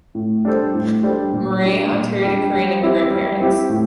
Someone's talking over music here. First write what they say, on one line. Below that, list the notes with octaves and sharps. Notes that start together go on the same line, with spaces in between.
Marie, Ontario to Korean immigrant parents.
A2
G3 D4 A4 C5
A2
G3 D4 A4 C5
A#2
G3 D4
A#2
G3 D4
G3
C4 E4 G4
G3
C4 E4 G4
A2